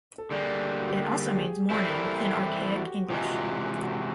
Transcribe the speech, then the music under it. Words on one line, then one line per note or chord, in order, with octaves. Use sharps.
It also means "morning" in archaic English.
A4
D3 G3 A#3 G#4
F#4
G4
G#4
G#4
E3 G3 C4 E4 A4
A#4
A4
A4
G4
F#4
C3 E3 G#3 F4
F#4
F4
F#4
F4
F#4